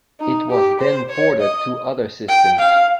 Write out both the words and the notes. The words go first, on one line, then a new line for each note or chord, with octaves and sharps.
It was then ported to other systems.
D#4
G4
C5
C#5
D#5
G5
F5